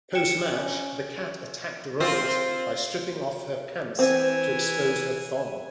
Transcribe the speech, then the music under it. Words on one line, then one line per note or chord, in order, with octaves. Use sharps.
Post-match, The Kat attacked Runnels by stripping off her pants to expose her thong.
G5 C#7 E7
C#4
C4 F4
E3 C4 G#5